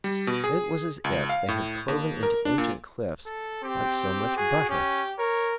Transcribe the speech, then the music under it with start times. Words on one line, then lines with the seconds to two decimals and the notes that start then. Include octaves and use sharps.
It was as if they had cloven into ancient cliffs like so much butter.
0.04 G3
0.27 B2
0.44 G#4
1.04 C#2
1.29 F5
1.48 A2
1.88 D#2
2.23 A#4
2.45 D4
2.58 A#2
3.26 A4
3.64 C4 G4
4.37 F#4 G#4
4.70 C#4 G4
5.19 A#4 C#5